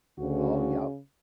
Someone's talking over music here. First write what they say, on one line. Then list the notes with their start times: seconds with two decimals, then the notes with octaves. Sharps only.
Oh, yep.
0.19 D2 C#3 F#4